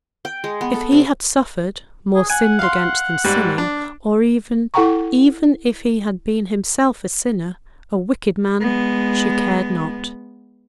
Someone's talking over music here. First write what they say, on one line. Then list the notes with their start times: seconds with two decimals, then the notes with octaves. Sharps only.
If he had suffered, more sinned against than sinning, or even, even, if he had been himself a sinner, a wicked man, she cared not.
0.25 G5
0.44 G#3
0.61 B3
0.74 A4
0.92 C3
2.15 G#4
2.30 F#5 G#5
2.59 F5 C6
3.24 G#2 G3
3.58 D4
4.74 E4 A4 F#5 G5 A#5 C#6
8.60 G#3 B3